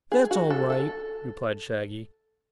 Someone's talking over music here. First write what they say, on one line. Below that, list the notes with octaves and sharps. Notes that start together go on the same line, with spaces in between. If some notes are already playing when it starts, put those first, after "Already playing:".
"That's all right," replied Shaggy.
G#4
F#4
A4
A4